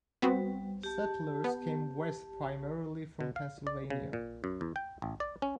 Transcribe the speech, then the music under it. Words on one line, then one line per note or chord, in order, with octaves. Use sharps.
Settlers came west primarily from Pennsylvania.
G3 B3 C4 F#4
G4 A5
B3
B2
F5
D5
C#3
A#2
F#2
E2
G5
A1
D5
C#4